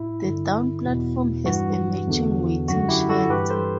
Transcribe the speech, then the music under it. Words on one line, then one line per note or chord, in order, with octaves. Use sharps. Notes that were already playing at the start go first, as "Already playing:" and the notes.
The down platform has a matching waiting shelter.
Already playing: A2 E4
G2 D3
E2 B2
G2 E3 F#4
E2 D3
F#2 D3 F#4
E4 G4
F#4 A4
G2 E3 G4 B4
A4 C5